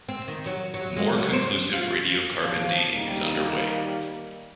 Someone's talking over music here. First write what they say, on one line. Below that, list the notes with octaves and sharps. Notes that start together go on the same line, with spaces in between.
More conclusive radiocarbon dating is under way.
C4
D#3
F#3
F#3
G#3
F#3
C5
F4
F3
D#3 G3 A#3